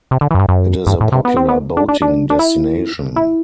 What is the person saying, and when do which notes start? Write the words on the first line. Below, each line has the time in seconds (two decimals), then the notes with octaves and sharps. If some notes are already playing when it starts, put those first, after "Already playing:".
It is a popular boating destination.
0.11 C3
0.21 D3
0.31 E3
0.34 F#2
0.39 G2
0.49 F#2
0.87 G2
1.00 A2
1.12 C3
1.25 B3
1.37 C4
1.49 B3
1.77 D4
1.88 D4
2.02 D4
2.30 D4
2.39 E4
3.16 E4